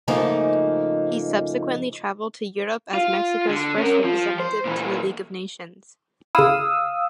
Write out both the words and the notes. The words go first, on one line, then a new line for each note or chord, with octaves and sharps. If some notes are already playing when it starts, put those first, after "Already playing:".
He subsequently traveled to Europe as Mexico's first representative to the League of Nations.
G#2 C#3 F3 A3 A#3 D#4
F4
D3
C#4 A#4
F3
C5
A#2 E3
C#3 E4 F5 D#6 E6